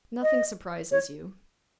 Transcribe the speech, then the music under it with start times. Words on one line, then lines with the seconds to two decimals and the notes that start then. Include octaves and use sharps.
Nothing surprises you.
0.23 D#5
0.92 C#5